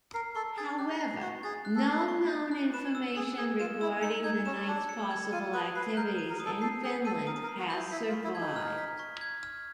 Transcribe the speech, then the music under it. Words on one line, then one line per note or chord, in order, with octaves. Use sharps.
However, no known information regarding the knights' possible activities in Finland has survived.
A#4 C7
A4 C#6
G#4 A6
G4 F#6
C7
F#4 C#6
G#4 A6
F#6
A4
C7
C#6
A6
F#6
B4 E7
E6
G#4 C#7
G#4 G#6
F4 E7
E4 E6
D#4 C#7
D#4 G#6
C#4 E7
D4 E6
C#7
G#6
F4 D#7
B4 D#6
B4 C7
A#4 G6
D#7
A#4
D#6
A4
A4 C7
G#4 G6
A4 D#7
A#4 D#6
A#4
C7
F#4
G6
E4
E4 B6
F4
C#6
E4
G#6
D#4
F6
B6
C#6
G#6
F6